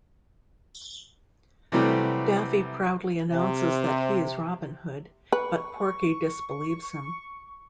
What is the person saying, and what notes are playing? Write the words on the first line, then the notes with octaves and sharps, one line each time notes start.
Daffy proudly announces that he is Robin Hood, but Porky disbelieves him.
C3 E3 F#3 G3 A3 C4
C3
B4 C#6